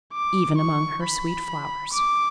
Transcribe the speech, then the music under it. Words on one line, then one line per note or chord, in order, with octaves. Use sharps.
Even among her sweet flowers.
D6
C#6
B5
D6